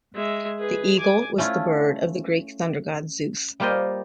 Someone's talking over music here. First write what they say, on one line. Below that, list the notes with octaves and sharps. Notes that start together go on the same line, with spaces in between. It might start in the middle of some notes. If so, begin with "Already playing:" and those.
The eagle was the bird of the Greek thunder-god Zeus.
G#3 E5
G#4 B4
G#5 D6
A3 C#4 E4 F4
G3 A#3 F4 G4 C5 D#5